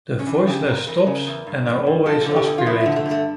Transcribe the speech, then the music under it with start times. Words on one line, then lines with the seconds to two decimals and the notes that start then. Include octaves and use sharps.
The voiceless stops and are always aspirated.
0.19 C#4
0.27 E3 D4
0.47 C#3 G4
0.67 F2 A#4
0.87 E3 A#4
1.07 C#3
1.27 E2
1.47 G2
1.66 E3
1.87 G2
2.06 F3 A4
2.21 D3 A4
2.36 G4
2.46 E2
2.58 F4
2.66 F3 E4
2.81 A3
2.86 D3
2.96 A3
3.06 G2
3.11 A3